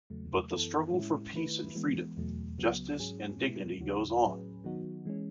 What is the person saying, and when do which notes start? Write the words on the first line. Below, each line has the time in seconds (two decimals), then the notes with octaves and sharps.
But the struggle for peace and freedom, justice and dignity goes on.
0.10 E2 C#3 F#3 A3
0.51 F#2 E3 B3 E4 A4
0.92 A2 G#3 C#4 E4
1.33 D#3 A3 E4 B4
1.75 E3 G#3 B3
2.17 E2 B2 F#3 A3
2.58 C#2 C#3 F#3 B3
2.99 G#2 F#3 C#4 G#4
3.40 B2 G#3 B3 E4
3.81 D#2 C#3 F#3 C#4 F#4
4.23 A2 F#3 C#4 G#4 B4
4.64 D#3 F#3 B3 D#4 F#4
5.05 E3 G#3 C#4